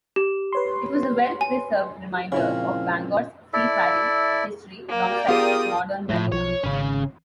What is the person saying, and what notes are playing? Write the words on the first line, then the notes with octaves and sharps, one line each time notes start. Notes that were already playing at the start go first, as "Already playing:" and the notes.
It is a well-preserved reminder of Bangor's seafaring history alongside its modern marina.
G4
B4 C#5 C6
G#5
A#2 C#3 F3 G#3 C4 C#4 E4 F5
E4 A4 D5 E5
A#3 A#4 D5 G5
B3 F4 G4 G#4 D#6
A2 F3 G#3
B1 F3 C#5
G#1 C#3 C#4